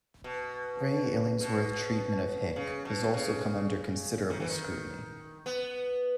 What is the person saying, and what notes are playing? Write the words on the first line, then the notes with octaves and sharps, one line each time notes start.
Ray Illingworth's treatment of Hick has also come under considerable scrutiny.
B2
B2
C#3
B2
C#3
D#3
E3
D#3
B3